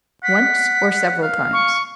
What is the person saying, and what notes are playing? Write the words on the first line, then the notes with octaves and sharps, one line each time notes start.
"Once or several times?"
F#5 B6
F5
C#6